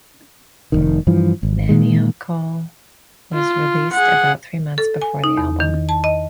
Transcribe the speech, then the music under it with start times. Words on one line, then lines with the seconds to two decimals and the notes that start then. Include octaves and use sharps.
"Maniacal" was released about three months before the album.
0.72 F1 A#1 D#3
1.07 G2 E3 F3
1.43 G#1
1.69 A#2 D#3 G#3
3.34 F4
3.93 G#4 F#5
4.78 A4
5.02 G#5
5.24 D#4
5.37 E2
5.60 D#3
5.89 A5
6.04 D#5